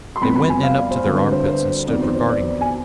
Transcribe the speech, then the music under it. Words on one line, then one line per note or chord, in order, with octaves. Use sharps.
They went in up to their armpits and stood regarding me.
C6
F2 C3 G3 B3 B5
B5
G#5
F5
D5
C5
D2 D3 G3 C4
B4
C5
C5
F2 D#3 B3 D5
C5
C5
D5
G#5